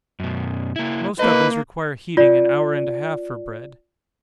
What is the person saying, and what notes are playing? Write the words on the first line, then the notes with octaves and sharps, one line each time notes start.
Most ovens require heating an hour and a half for bread.
F#2 B2
A#3 E4
A#3 E4 B4 D#5
F4 D5